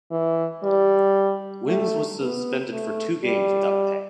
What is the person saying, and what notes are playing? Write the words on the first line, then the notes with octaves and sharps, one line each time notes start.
Wims was suspended for two games without pay.
E3
G3
A3
B3
A3
G3